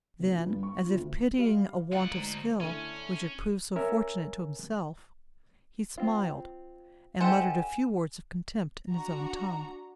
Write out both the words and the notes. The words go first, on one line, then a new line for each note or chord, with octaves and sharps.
Then, as if pitying a want of skill which had proved so fortunate to himself, he smiled, and muttered a few words of contempt in his own tongue.
F1
F3
G2
C#6
F4
D2
G3 F5
D2 F4 F#5 A6
G#2 A#5
D3 A3 C#4 E4
C#4 A#4 E5
C4 F4
D#4 G4 A4 C5 F#5 G#5 E7
D4 F#4 A#5